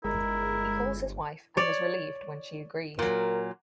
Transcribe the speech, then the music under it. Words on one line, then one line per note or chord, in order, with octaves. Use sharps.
He calls his wife and is relieved when she agrees.
G1 G#3 E4 A#4
C#5 D5
A#2 F#3 A#4